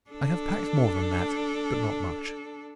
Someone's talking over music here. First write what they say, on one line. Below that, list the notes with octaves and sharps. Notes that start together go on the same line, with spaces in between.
I have packed more than that, but not much.
D4 A4